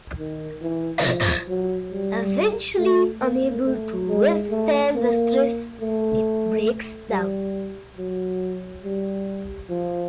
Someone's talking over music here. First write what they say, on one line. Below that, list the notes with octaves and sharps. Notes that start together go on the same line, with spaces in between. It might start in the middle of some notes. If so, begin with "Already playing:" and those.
Eventually, unable to withstand the stress, it breaks down.
D#3
E3
F3
F#3
G3
A3
A#3
A3
G#3
A3
A#3
A3
G3
F#3
G3
F3